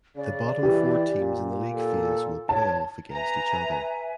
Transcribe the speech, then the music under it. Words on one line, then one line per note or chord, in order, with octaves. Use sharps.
The bottom four teams in the league phase will play off against each other.
C#3 D5
E3 G4
A#2
A4
C#5 A5
B4 E5 G#5 A#5